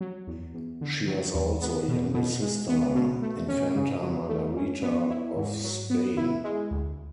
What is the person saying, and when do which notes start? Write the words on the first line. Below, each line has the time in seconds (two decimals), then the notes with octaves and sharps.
She has also a younger sister, Infanta Margarita of Spain.
0.01 F#3
0.27 E2
0.54 E2
0.81 D3
1.08 F#3
1.34 E2
1.61 B3
1.88 B2
2.14 B2
2.42 G#3
2.69 B3
2.95 B2
3.22 A3
3.48 C#4
3.76 C#3
4.02 F#3
4.29 A3
4.56 C#4
4.83 B3
5.10 E4
5.37 G#2
5.64 F#3
5.90 B3
6.17 E4
6.44 G#3
6.71 D2